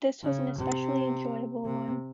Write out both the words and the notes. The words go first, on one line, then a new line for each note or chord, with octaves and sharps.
This was an especially enjoyable one.
C#3
C3
C3